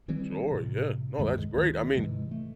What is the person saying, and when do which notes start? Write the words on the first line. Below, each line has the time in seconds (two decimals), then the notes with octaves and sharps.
Sure, yeah, no, that's great, I mean,
0.08 D#3 E3 G3 C4
0.51 A2 C3
1.19 D2 G2 D#3 G#3
1.55 D2 D#3
1.97 G#2 C3 E3 G#3
2.31 A3